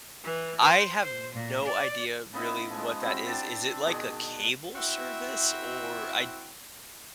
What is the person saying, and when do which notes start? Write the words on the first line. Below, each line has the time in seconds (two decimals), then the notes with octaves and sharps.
I have no idea really what that is, is it like a cable service? Or I
0.24 E3
0.63 C5
1.03 C5
1.35 A#2
1.64 D5
2.33 C#3 B3 D#4 E4
2.70 F3 G#3
3.02 C4 E4 F#4
3.27 D4 G5 A5
3.86 B2 D#3 D4 G#4
4.75 C4 E4 F#4 E5